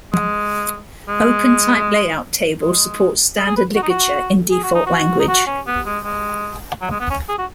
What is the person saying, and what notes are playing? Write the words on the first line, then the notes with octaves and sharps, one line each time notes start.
OpenType layout table supports standard ligature in default language.
G#3
G#3
G#3
G#3
G#4
B4
F#4
D#4
F#4
G#4
F#4
D#4
F#4
D#4
F#4
C#4
B3
G#3
G#3
F#3
G#3
B3
C#4
G#4
F#4